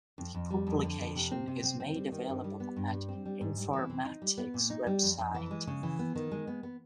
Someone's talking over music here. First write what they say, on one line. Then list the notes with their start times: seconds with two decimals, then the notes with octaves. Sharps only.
The publication is made available at Informatics Website.
0.18 F2
0.34 F2
0.51 G3
0.67 F2
0.83 D3
0.99 F2
1.15 C3
1.31 C4
1.47 C3
1.64 C4
1.80 C4
1.96 G3
2.12 D#3
2.28 G2
2.44 G3
2.60 B3
2.76 G2
2.93 G3
3.09 C4
3.26 G3
3.41 G#2
3.57 G3
3.73 E3
3.90 C4
4.05 D#4
4.22 G3
4.38 B3
4.54 A#2
4.70 D#4
4.87 G3
5.03 F2
5.18 F2
5.34 E3
5.51 G#3
5.67 C#3
5.83 E3
5.99 B3
6.15 D#3
6.31 G#3
6.47 B3
6.63 B3